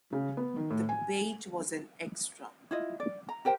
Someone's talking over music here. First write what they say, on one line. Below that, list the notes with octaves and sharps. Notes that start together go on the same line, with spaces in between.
The bait was an extra.
C#3
B3
D#3
A2
G#5
E4 F4 D#5
D5
A#5
G4 A#4 C5 G5